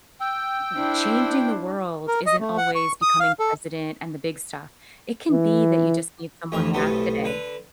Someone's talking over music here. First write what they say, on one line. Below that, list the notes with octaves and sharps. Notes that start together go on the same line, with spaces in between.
ee changing the world isn't always becoming president and the big stuff. It can be that you just made someone laugh today.
G5 E6
D4 E4 C5
A#4
D#5
A3
F#5
C#6
D#6
F5
A4
E3
A1 F2 E3 E5
B1 A2 C3 B3 A4
D3 B4